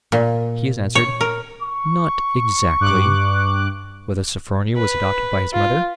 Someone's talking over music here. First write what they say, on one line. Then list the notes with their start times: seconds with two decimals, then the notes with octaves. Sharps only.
He has answered, 'Not exactly.' Whether Sophronia was adopted by his mother?
0.12 A#2
0.95 C#5
1.21 A#4
1.62 C#6
2.80 G2 D6 F#6
4.77 B4
5.53 F4